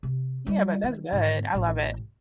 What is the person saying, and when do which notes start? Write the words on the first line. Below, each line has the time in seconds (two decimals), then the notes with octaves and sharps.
Yeah, but that's good, I love it.
0.03 C3
0.47 G3 F4
0.83 D#3
1.12 G#2 D3
1.55 A1 A2